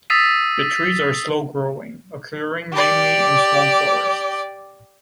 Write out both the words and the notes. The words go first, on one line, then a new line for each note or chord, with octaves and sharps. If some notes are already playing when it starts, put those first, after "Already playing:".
The trees are slow-growing, occurring mainly in swamp forests.
D#6 E6 A6 B6 C7 D#7
G4 D5